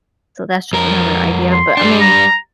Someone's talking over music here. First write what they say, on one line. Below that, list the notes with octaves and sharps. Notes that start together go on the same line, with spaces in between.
So that's just another idea, but I mean
F2 A#4
C6
G3 D4
A#5